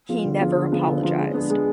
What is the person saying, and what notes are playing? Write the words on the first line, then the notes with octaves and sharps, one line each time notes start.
He never apologized.
F3 B3 F4 G#4
D3
F3 B3 F4 G#4
D3
F3 B3 F4 G#4
D3
F3 B3 F4 G#4
G#3
B3 D4 G#4
G#3